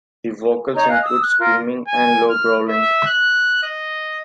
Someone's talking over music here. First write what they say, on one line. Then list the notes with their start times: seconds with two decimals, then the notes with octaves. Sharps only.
The vocals include screaming and low growling.
0.75 D#4 C#5 A#5 G6
0.89 D#5 F5 G#5 F#6
1.03 D#6 E6
1.22 F#6
1.39 F4 A#4
1.87 G#5
2.30 F6
2.69 E5
3.06 F#6
3.63 D#5